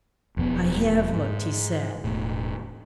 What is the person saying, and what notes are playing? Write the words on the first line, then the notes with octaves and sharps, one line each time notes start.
"I have looked," he said.
E1 F2 G3 B3
G#2
E1 A2